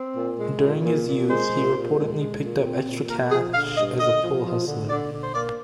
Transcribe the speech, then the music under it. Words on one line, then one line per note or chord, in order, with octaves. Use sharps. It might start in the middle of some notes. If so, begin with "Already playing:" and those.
During his youth, he reportedly picked up extra cash as a pool hustler.
Already playing: C4
A#2
G#3
A#2
A#2
A#2
G#3 C5
A#2
A#2
G#3
G#3
A#2
C4
A#2
A#3 A#4
F3 G#4
D3 F5
G2 D#5
D3 D#5
F3
F3
D3
D3 D5
D3
C5
A#3 D5